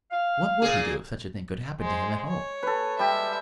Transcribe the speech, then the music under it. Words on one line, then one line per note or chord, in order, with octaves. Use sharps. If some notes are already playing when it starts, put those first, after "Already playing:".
What would he do if such a thing could happen to him at home?
F5
A#2 A#3 G#4
G#3 C5
C#5
A4 B4
G3 G#3 G4 E5